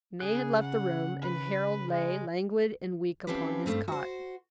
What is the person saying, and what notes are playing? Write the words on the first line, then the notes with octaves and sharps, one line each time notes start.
May had left the room, and Harold lay languid and weak upon his cot.
C#3 G#4 F#6
F#5
B4
G#3
E3 F3 C4 C#4 G4 B4
G2 A3 C4
F#4 C5